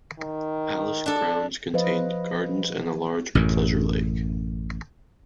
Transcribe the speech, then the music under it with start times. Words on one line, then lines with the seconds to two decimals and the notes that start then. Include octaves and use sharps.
The palace grounds contained gardens and a large pleasure lake.
0.19 D#3
1.06 D4 A4
1.74 F3 B4 C5 D#5 F5
3.35 A1 F#2 A2